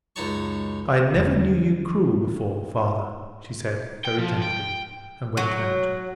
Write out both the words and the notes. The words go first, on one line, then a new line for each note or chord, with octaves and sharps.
"I never knew you cruel before, father," she said, very gently, and went out.
C#2 F#2 D#4 C#5 A5 C#6
E2 D3
G5
F3
G5
F#3